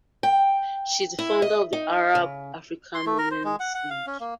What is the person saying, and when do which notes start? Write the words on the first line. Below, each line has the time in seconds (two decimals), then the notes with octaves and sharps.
She is founder of the Arab-African Women's League.
0.23 G5
1.19 E4
1.42 D#5
1.73 D#4
2.15 C#3
2.95 C6
3.06 A3
3.18 A#4
3.31 C5
3.44 G#3
3.60 F#5
3.75 F#5
3.90 F5
4.07 C#4
4.20 A#3